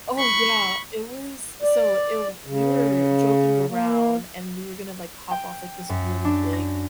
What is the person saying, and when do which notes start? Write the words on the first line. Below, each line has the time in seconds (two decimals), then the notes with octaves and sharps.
Oh yeah, it was so i we were joking around and we were gonna like hop off like, this really big,
0.19 B5 C#6
1.62 D5
2.46 C#3
3.69 A#3
5.31 G5
5.89 F#2
6.25 D4
6.53 A#6